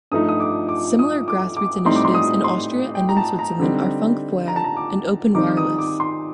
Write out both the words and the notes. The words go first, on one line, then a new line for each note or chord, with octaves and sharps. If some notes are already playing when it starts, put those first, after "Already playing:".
Similar grassroots initiatives in Austria and in Switzerland are FunkFeuer and Openwireless.
G2 F3 A3 D#4 D#6
D#6
D6
D6
D#6
D6
D6
A2 G3 C4 D#4 C6
D6
C6
D#6
C6
G5
A#5
A5
A#5
D3 G3 C4 D#4
A#5
A5
A#5
D6
D#3 G3 C4 D#4 D6
D#6
D6
C6